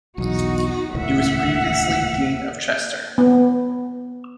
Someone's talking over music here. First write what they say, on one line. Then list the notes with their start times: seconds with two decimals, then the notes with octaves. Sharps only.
He was previously Dean of Chester.
0.18 B1 E2 D#4 F#4
0.94 D#1 C#2 A2 E5 F#5
3.18 B3